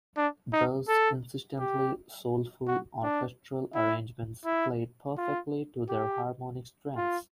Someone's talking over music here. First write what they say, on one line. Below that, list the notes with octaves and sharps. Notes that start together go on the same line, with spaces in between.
Bell's insistently soulful orchestral arrangements played perfectly to their harmonic strengths.
D4
D#4
A4
G4
F#4
D4
E4
E4
F4
G4
F4